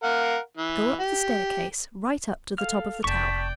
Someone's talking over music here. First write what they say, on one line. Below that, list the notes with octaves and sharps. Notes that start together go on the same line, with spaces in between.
'Go up the staircase, right up to the top of the tower.
A#4 F5 F#5
E3
G4
A4 F5 F6
F1 D5 G5 A5 C#6 B6